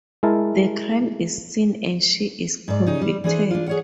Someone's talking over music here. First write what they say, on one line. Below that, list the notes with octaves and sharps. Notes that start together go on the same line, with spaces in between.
The crime is seen and she is convicted.
G#3 E4 A#4 A5
G#2 D5
C#3 D#4 G4
G3
E3 D4 G#4 C5
D4 F4
G#4 C#5 F#5